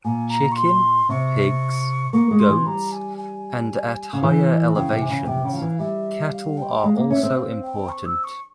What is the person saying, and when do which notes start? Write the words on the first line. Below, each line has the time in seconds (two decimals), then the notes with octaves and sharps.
Chicken, Pigs, goats, and at higher elevations, cattle are also important.
0.04 A#2 G#5
0.30 A#5
0.52 C#6
0.56 C6
1.09 C3 C#6
2.13 A#3 C#6
2.31 G#3
2.40 C6
2.48 E3
2.66 G3 A#5
2.92 G#5
3.18 G#5
4.13 C#3
4.23 E3
4.75 C#3 G5
4.92 C3
5.01 G#5
5.10 C#3
5.27 C3 G5
5.44 C#3
5.53 F3 F5
5.62 E3
5.79 G3 E5
6.31 F5
6.57 G5
6.84 G#3 F5
6.97 A#3
7.10 C#4 E5
7.23 C4
7.35 F5
7.63 G5
7.89 C#6
8.06 E6
8.24 C#6